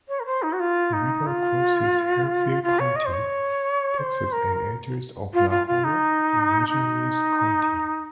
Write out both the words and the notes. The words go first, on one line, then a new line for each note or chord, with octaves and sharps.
The river crosses Hemphill County, Texas and enters Oklahoma in Roger Mills County.
C#5
A#4
C5
D#4
F#4
F4
D#4
F4
F4
C#5
D#5
C5
C#5
C5
A#4
F4
F4
F4
D#4
D#4